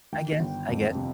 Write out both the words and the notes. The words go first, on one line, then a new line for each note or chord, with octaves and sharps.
I guess, I guess.
D#3 G5
G1
F2
C3